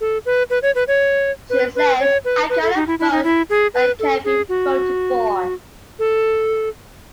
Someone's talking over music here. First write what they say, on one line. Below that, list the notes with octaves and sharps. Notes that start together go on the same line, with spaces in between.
She said, I cannot vote but I can be voted for.
A4
B4
B4
C#5
B4
C#5
B4
B4
C#5
B4
B4
A4
D#4
E4
E4
D#4
E4
G#4
B4
A4
G#4
F#4
A4